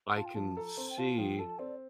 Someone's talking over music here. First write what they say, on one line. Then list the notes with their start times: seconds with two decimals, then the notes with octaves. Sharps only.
I can see
0.16 F4 A5
0.25 G5
0.35 F3 A5
0.57 A4 A#5
0.77 C4
0.90 G5
0.98 F4 A5
1.17 F3 G5
1.39 A4 A5
1.59 C4 D5